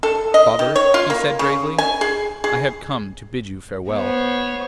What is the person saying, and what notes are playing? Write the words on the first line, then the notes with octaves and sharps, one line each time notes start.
'Father,' he said gravely, 'I have come to bid you farewell.
A4
D#5
D#3
C#5
F4
A#3
C#3
G#5
G#4
G#4
B3 C5 C#5